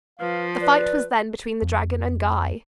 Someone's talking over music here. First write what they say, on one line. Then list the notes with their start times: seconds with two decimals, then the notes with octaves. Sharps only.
The fight was then between the dragon and Guy.
0.20 F3 B4 F5
0.61 B4 D5
1.62 F2